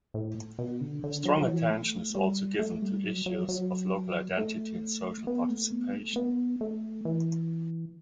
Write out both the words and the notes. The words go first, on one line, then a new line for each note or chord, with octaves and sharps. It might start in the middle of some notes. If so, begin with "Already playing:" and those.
Strong attention is also given to issues of local identity and social participation.
A2
B2
D3
D3
F#3
F#3
E3
A3
G3
A3
G3
F#3
F#3
F#3
A3
B3
A3
B3
A3
B3
A3
E3